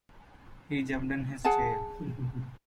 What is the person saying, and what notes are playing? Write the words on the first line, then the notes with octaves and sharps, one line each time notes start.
He jumped in his chair.
G#4 F#5 G#5 A5